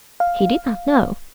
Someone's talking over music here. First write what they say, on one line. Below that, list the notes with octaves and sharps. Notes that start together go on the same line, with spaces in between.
He did not know.
F5